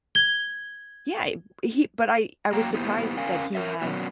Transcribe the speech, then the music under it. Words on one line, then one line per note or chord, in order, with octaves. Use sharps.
Yeah, i he but I I was surprised that he had
G#6 G7
F#3 A#3 G5 A#5
A#3 B3 E4 G4 C5
C#4 A#4 F5 G#5
A#4 C#5 E5
B2 F#3 B3 C#4 D4 F#4